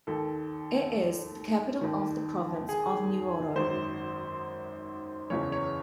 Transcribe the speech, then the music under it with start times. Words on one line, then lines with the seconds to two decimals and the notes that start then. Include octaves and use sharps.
It is the capital of the province of Nuoro.
0.07 D#2 D#3 A4
1.81 D#2 D#3
2.69 G#4
3.55 G#1 F#2 D#3 C5
5.30 F#1 E2 C#3 E3 C#5
5.52 C#5